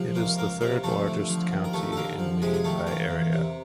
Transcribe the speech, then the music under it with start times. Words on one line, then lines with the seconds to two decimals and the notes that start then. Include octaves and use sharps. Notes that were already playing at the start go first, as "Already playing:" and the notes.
It is the third-largest county in Maine by area.
Already playing: C3 F3
0.15 C#2 A#3 A#4
0.37 C#2 A#3 A#4
0.61 C3 A#3 A#4
0.83 F3 A3 A4
1.06 D3
1.28 F3
1.51 D#2
1.64 A#4
1.73 D#2 A3 A4
1.92 A4
1.96 D3 A#3 A#4
2.18 F3
2.42 C3 G#3 G#4
2.54 G#4
2.64 D#3 A3 A4
2.87 E2 A#3 A#4
3.09 E2
3.33 C3